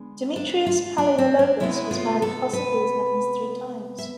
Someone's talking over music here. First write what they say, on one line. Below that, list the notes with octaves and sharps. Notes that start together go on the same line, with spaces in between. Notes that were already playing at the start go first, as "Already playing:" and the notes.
Demetrios Palaiologos was married possibly as many as three times.
Already playing: D3 G#3 B3
D4
F4
D4
C4
D4
C3 G#3 B3 E4
F4
A4
B4
E5